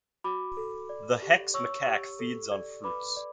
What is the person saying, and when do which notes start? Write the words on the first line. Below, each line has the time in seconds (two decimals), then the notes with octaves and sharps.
The Heck's macaque feeds on fruits.
0.24 F#4 B5 D6
0.57 A4
0.89 D5
1.22 G4
1.54 C#5 C#6 E6
1.87 G4
2.19 A4
2.52 D5
2.84 B4 B5 D6
3.17 D5